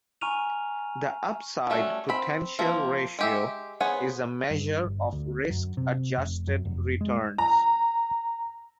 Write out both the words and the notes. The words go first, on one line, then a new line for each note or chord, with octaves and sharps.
The Upside-Potential Ratio is a measure of risk-adjusted returns.
G#5 A#5 C#6 F6 D#7 F7
G3 A3 C#4 D4 F#4
C4 B5
F3 A#3 C4
G#3 G4 E5
B3 G#4 C5 C#5 F#5
G2
G1
D2
F#2
C3
F1
F#2
F1
G#3
A#5